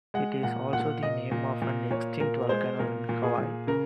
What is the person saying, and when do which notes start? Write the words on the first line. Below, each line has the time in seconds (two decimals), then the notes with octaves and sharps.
It is also the name of an extinct volcano in Hawaii.
0.14 G#3 F#5
0.43 A#2 F#5
0.73 A#2 F#5
1.03 A#2 D#5
1.31 A#2
1.62 A#2
1.91 A#2 C#5
2.20 A#2 A#4
2.49 G#3 C5
2.79 A#2 A#4
3.09 A#2
3.23 G#4
3.38 A#2
3.67 C#3 A#4